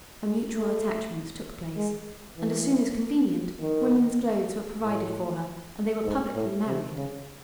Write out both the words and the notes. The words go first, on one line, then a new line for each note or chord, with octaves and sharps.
A mutual attachment took place, and, as soon as convenient, women's clothes were provided for her, and they were publicly married.
G#3
A3
G#3
E3
D#3
A2
G#2
A2
C3
C#3